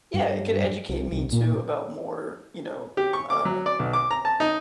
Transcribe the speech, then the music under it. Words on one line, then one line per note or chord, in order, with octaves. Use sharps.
Yeah, it could educate me too about more, you know, m uh,
G2
C2
C2
A#2
G4
C#6
D6
F#3
D5
B1
D6
A#5
A5
D#4